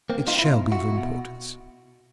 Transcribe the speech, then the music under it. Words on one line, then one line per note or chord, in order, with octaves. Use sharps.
"It shall be of importance."
A#3 C4
D#4 F4
E4
B2 D#4 F4
E4 F#4
B2